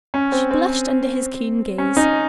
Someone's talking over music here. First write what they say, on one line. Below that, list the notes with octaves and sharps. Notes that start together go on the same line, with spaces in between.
She blushed under his keen gaze.
C#4
C4
C4
C#4
C#4 D#4